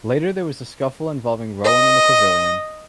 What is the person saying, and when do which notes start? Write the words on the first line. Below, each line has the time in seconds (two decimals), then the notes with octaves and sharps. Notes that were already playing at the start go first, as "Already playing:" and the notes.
Later there was a scuffle involving Rowan in the pavilion.
1.65 D#5